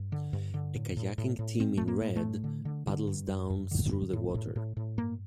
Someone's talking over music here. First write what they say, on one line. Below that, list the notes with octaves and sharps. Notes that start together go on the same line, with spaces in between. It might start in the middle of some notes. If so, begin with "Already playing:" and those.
A kayaking team in red paddles down through the water.
Already playing: G2
D3
G2
D3
A2
A2
A2
A2
A2 C4
A2 A3
A#3
A2
A3
A2
D3
D3
D3
G2
F#2
F#2
D3
F#2
A2
A2
A2
A2
G2 A#3